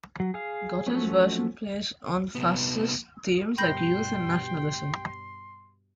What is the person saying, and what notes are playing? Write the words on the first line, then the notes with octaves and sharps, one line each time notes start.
Gotta's version plays on fascist themes like youth and nationalism.
F#3
G#4 F5
F3 F#3 A3 C#4
C2 B3
G2 B2 G3 G5 B5 C6 G6 A#6